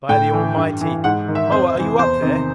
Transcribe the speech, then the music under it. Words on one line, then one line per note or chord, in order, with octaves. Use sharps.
By the Almighty, Moa, are you up there?
A2 G5
E3
G2
E3
G#2 F#5
D#3
E5
F2 C5
C3 E3
E2 C5
C3 D#3